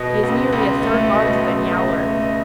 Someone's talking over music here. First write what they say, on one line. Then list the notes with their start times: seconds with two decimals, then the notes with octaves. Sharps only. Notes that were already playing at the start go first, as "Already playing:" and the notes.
He is nearly a third larger than Yowler.
Already playing: B2 D#5
0.23 C#2
0.53 C#2
0.82 A3
1.12 B2 D#5
1.43 C#2
1.64 E5
1.72 C#2 D#5
2.02 A3
2.22 D#5